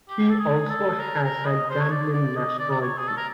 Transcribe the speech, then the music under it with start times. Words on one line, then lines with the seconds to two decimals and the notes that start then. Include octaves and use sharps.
He also has a Gambian nationality.
0.09 G4
0.30 A4
0.40 G#4
0.69 A4
0.99 A#4
1.23 A#4
1.46 D#5
1.70 C5
1.80 C#5
1.91 D5
2.13 D5
2.36 D#5
2.59 D5
2.71 D5
2.82 C#5
2.98 G#4
3.07 A4
3.17 A#4